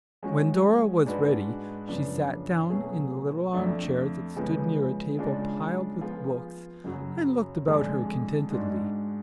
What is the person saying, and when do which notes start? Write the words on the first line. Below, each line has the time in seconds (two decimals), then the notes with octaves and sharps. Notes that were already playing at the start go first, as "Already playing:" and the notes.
When Dora was ready, she sat down in the little armchair that stood near a table piled with books, and looked about her contentedly.
0.23 F3 G#3 C#4 F#4
1.05 G#2 G#3 D4 F#4 B4
1.88 F#2 C#3 F3 B3 D4
2.70 B2 F#3 A3 C#4 G#4
3.53 F2 F3 A3 D4
4.36 C#3 F3 G#3 B3
5.19 C#3 G#3 D4 F4
6.01 F3 B3 F4 G#4
6.84 F#2 C#3 F#3
7.67 F2 D3 G#3 D4 G#4
8.50 G#2 G#3 D4 F#4